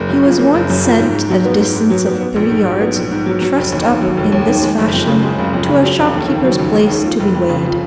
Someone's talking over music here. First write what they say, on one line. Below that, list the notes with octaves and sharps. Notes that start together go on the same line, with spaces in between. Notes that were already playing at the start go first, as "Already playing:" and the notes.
He was once sent a distance of thirty yards, trussed up in this fashion, to a shopkeeper's place, to be weighed.
Already playing: F#1 A#3
F#2
F3
A#3
F#1
F#2
F3
G#2
G#2
F#3
B3
G#2
G#2
F#3
B3
B3
A#1
G#2
F#3
B3
A#1
G#2
F#3
F#3
F1
D#2
D#3
F#3
F1
D#2
D#3
G#3
F#1
F2
C#3
G#3
F#1
F2
C#3
F#3
F1
D#2
D#3
F#3
F1
D#2
D#3
F3
F1
F2
C#3
F3